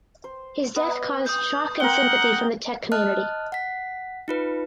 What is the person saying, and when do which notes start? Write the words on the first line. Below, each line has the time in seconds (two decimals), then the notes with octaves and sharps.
His death caused shock and sympathy from the tech community.
0.24 C5
0.76 B3 B4
1.26 D#6 G6
1.80 C4 A#4 F#5 G7
2.92 D#5 A5 F6 F#6
3.52 F#5 B6
4.28 D#4 F4 B4